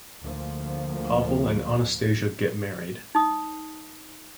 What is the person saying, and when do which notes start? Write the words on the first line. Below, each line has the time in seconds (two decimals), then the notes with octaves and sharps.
Pavel and Anastasiya get married.
0.23 D2 F3 A#3
3.15 D#4 D#6